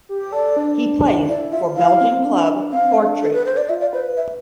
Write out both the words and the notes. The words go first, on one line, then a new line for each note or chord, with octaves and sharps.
He plays for Belgian club Kortrijk.
G4
A4 D5
D4
E4 D5
F4 E5
E4 F5
C4
D4
C4 F5
D4
A4
B4
C5
D5
F4 E5
D5
B4 C5
E5